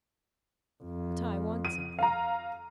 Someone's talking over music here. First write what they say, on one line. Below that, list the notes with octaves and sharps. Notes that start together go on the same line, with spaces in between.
But I want something.'
F2
D#7
F5 A#5